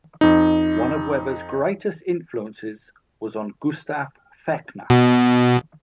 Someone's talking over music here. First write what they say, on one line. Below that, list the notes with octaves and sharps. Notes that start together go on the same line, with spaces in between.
One of Weber's greatest influences was on Gustav Fechner.
F2 D#4
B2